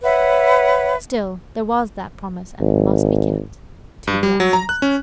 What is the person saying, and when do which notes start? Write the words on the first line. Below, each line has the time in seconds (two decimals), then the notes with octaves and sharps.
Still, there was that promise, and it must be kept--to the utmost.
0.03 B4 C#5 E5 F#5
2.60 G#1
4.07 G2
4.23 G3
4.40 F#3
4.53 A#5
4.69 F#6
4.82 C#4